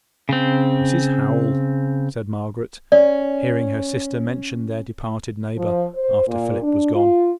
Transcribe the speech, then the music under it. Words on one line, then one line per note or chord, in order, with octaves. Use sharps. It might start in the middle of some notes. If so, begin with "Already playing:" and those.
"Mrs Howell!" said Margaret, hearing her sister mention their departed neighbour, after Philip was gone.
C#3 C4
C#4 D5
F3
C5
A#2
D4
F4